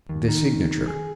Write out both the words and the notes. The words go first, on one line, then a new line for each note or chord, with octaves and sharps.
The Signature.
D#2
D#3
G#4